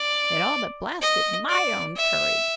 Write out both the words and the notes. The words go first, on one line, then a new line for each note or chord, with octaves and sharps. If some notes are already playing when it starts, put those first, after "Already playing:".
It all but blasted my own courage.
Already playing: D5
D#5
D5
E5